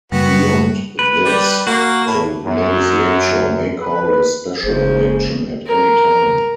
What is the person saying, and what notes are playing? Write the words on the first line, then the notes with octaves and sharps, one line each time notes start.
Beyond this, the legislature may call a special election at any time.
F#2 C#3 G3 A#3 B3 F#4
B4
G3
A#3 F#4
A2
F#2
B4
F#1 C#3 G#3 A#3 G#4 C5
A#4